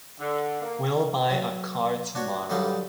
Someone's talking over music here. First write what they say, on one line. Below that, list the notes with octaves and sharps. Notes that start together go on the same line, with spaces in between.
We'll buy a car to-morrow.
D3
A#3
F#3
D4 F#4 C#5
D3 F#3 G3 D#4 F5